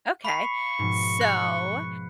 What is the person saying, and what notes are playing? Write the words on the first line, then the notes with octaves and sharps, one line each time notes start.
Okay. So,
F5 B5 C#6 B6 C7
G#2 B2 F3
F#6 C#7